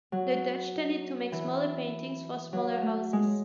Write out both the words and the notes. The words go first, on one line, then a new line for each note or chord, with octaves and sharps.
The Dutch tended to make smaller paintings for smaller houses.
F#3
E3
F#3
A3
G#3